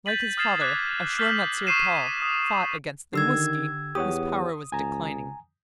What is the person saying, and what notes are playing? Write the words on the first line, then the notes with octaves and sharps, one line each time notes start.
Like his father, Ashur-natsir-pal fought against the Muski, whose power was declining.
G6 A6 B6 D#7 F#7
D#6 F6 G#6 A6 C7 E7
D6 F#6 G#6 B6
F6 G6 A6 B6 C7 F#7
C#6 D#6 G6 C7 D#7 E7
D#6
D3 D#3 G4 E6 G#6
E2 G4 C#5 F#5 D#6
C#2 G#5 A#5